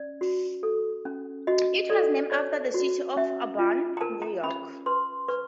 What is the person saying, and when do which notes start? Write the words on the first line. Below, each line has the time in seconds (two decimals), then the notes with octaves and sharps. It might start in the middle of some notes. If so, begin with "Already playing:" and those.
It was named after the city of Auburn, New York.
Already playing: C#4 D5
0.21 F#4
0.63 A4
1.05 C#4
1.47 F#4 D#5
1.90 A4 D5
2.32 C#5 D5
2.74 F#4
3.16 C#4 E5
3.59 F4
3.97 A#5
4.01 A#4 A5
4.22 A#5
4.44 C#4 B5
4.86 B4 C6
5.28 B4 C#6